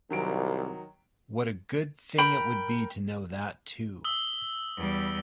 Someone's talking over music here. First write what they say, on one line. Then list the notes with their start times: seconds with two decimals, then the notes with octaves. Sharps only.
What a good thing it would be to know that too!
0.10 C2 D#3 F#3 D7
2.19 A#4 G5 B5
4.04 D#6 E6 G7
4.77 E2 G3